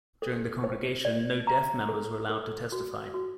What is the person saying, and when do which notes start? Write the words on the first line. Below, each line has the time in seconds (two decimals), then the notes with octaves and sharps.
During the congregation, no Deaf members were allowed to testify.
0.22 A4
0.64 C5
1.05 D5
1.47 A#5
1.89 A4
2.30 A4
2.72 F#4
3.14 F#4